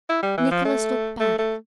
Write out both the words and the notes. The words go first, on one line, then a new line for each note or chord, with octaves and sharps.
Nicholas looked back.
E4
G3
E3
F3
A3
A3
A3